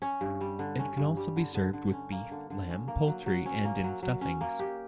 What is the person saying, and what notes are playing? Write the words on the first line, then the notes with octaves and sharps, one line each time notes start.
It can also be served with beef, lamb, poultry and in stuffings.
C#4
G2
G3
D3
C#4
G2
G3
D3
D3
D3
C#4
A#3
D3
D3
C#4
A#3
F#3
F#3
C#4
A#3
F#3
F#3
C#4
A#3
G4